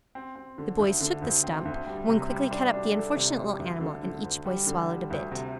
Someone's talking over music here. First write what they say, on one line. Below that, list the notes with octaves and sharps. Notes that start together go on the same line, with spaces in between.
The boys took the "stump," one quickly cut up the unfortunate little animal and each boy swallowed a bit.
C4
C4
D3
D2
D3
D2
C4
D2
G3
C3
G3
D4
D4
A4
C3
G3
D2
D3
D3
D2
G3
D3
G3
D2
C3